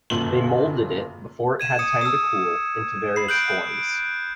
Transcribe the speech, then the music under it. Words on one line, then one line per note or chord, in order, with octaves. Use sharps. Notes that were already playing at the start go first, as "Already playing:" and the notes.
They molded it, before it had time to cool, into various forms.
G1 C#2 F#2 A#2 F#7
G#6 D#7 E7
D#6 C#7
D#6 E6
B5 C7
F#6 G6 D7 F#7